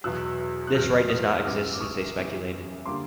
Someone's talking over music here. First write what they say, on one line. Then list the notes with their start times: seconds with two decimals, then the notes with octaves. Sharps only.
This right does not exist since they speculated.
0.04 E2 B2 F#3 E6 F#6
0.67 F#6
0.74 E2 B2 F#3 F6 G6
1.09 D#6 F6
1.37 F6
1.45 F#2 C#3 E3 G3 B3 D6 E6
1.73 D6
1.80 C#6 D#6
2.16 F#2 C#3 E3 G3 B3
2.86 D3 G3 A#3 C6 D6